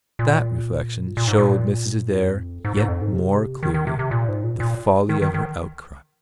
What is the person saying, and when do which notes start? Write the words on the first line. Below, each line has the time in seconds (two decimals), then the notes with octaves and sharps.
That reflection showed Mrs. Adair yet more clearly the folly of her outcry.
0.19 A#2
1.17 A#2
1.27 G#2
1.38 A#2
2.10 G#2
2.15 F2
2.65 G#2
2.77 G#2
2.88 F2
3.01 G#2
3.13 C3
3.63 D#3
3.74 D#3
3.87 C3
3.99 C3
4.11 A#2
4.28 G#2
4.44 A#2
4.60 A#2
5.09 D#3
5.22 D#3
5.34 D#3